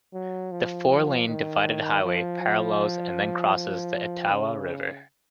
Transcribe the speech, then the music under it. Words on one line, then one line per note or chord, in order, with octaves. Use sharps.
The four-lane divided highway parallels and then crosses the Etowah River.
F#3
F3
D#3
F3
F3
F3
C#3